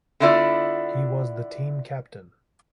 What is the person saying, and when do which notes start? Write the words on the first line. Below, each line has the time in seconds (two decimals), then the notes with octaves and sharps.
He was the team captain.
0.20 D3 B3 E4 F4 D5